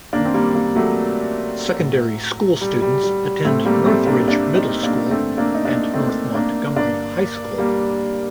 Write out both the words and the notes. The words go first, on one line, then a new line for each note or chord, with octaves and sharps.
Secondary school students attend Northridge Middle School and North Montgomery High School.
F#2 D#3 A#3 D4
C4
G3 A#3
G3 A#3
F#3 A3
A2
G3
G3
G3
A2 A3 C4
G3 A#3
A3 C4
A#3 D4
A#3 D4
C4 D#4
A#3 D4
G2 D3 A3 C4
A#3 D4
D#4
A#3 D4
A3 C4
A#3 D4
G2 D3 A#3 D4
G3 A#3